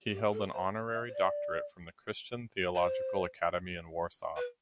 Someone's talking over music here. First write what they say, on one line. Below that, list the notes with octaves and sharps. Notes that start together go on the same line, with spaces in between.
He held an honorary doctorate from the Christian Theological Academy in Warsaw.
G4
A4
C5
E5
C5
D5
C5
B4